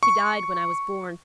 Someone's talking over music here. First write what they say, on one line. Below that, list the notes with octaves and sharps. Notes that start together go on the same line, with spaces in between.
She died when I was born.
C#6